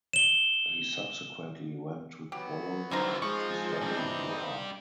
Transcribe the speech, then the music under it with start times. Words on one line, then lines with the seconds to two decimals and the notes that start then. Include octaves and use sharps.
He subsequently went to Bologna to study law.
0.13 E7 G7
2.32 F#3 B3 G4
2.91 D3 E3 D#4 F4 C5 A#5
3.22 F3 G#3 C4 D#4 C#6
3.81 A2 G3
3.95 E3 D4 G4